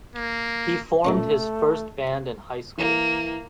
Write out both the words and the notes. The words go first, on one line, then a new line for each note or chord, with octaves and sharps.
He formed his first band in high school.
A#3
A#1 B2 A3 C#4
E3 A#3